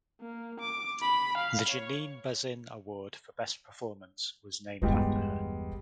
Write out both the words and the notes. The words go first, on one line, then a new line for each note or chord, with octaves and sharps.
The Janine Bazin Award for Best Performance was named after her.
A#3
D6
B5
F5
C#5
G1 E2 G3 G#3 B3